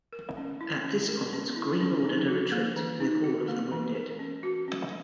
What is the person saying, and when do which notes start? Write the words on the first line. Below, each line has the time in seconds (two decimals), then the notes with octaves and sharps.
At this point, Greene ordered a retreat with all of the wounded.
0.13 A#4
0.37 C#4
0.61 E4
0.84 C#4
1.08 A#4
1.33 C#4
1.56 E4
1.81 C#4
2.05 D#4
2.28 F#4
2.52 A#3
2.76 E3
3.00 D#4
3.24 F#4
3.48 A#3
3.72 E3
3.95 A#4
4.19 C#4
4.43 F#4
4.68 C#4